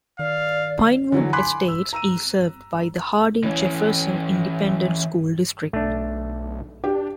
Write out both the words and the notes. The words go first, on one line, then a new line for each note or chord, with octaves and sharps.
Pinewood Estates is served by the Hardin-Jefferson Independent School District.
D#3 D5 F5
D3 E3 F#3
G#5 B5 C6 D6 F#6 B6
E6
A#5 E6 D#7
E3 C#4
B1 A3 D4
D4 G4